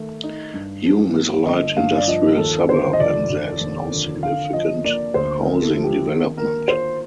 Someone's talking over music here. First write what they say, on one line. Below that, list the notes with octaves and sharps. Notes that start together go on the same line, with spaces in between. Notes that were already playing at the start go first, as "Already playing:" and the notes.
Hume is a light-industrial suburb and there is no significant housing development.
Already playing: D#3 A3
D#4
G2
F3
A#3
G1 D#5
G2 F5
D5
F3 D#5
D#2 A4
D3 C5
D#5
F1 D5
F1
D#2
D3
D3 F5
F3 D#5
A#3 D5
D2 C5
A#4
D3
A4
F3
G4
D#3
A#3 A#4
F4 C5